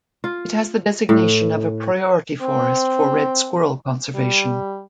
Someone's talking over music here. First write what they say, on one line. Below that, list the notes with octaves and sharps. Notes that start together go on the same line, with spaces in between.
It has the designation of a 'Priority Forest' for Red Squirrel conservation.
F4
A2
C4
G3